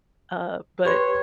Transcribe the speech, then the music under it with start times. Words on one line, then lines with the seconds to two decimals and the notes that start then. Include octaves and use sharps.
Uh, but
0.85 G4 B4 C#5 C6